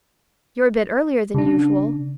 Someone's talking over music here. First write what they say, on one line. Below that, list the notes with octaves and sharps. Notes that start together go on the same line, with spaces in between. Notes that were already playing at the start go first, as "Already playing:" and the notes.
"You're a bit earlier than usual."
C#3 D4